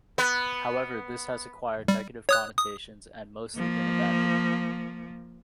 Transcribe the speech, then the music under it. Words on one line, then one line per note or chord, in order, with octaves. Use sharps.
However, this has acquired negative connotations and mostly been abandoned.
B3 B4
G3
C#5 D#6 F#6
D#6
F3 A#3